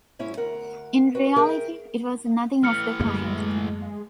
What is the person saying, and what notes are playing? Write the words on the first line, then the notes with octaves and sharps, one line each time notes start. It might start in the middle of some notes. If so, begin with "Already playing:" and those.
In reality it was nothing of the kind.
G#2 C#4 E4
D2 A#4 F#5
F#4 B4
G#4 A#4 E5 G5
A2 E3 F6 C#7
F#2 D3 G#3 A#3